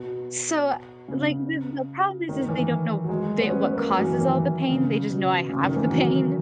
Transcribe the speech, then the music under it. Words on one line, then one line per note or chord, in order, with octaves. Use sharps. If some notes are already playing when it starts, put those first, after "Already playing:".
So, like, the the problem is is they don't know the what causes all the pain, they just know I have the pain,
Already playing: B2
C#3
D#3
E3
F#3
G#3
B3
C#4
B3
A#3
F#3
E3
D#3
E3
C#3
B2
C#3
D#3
E3
F#3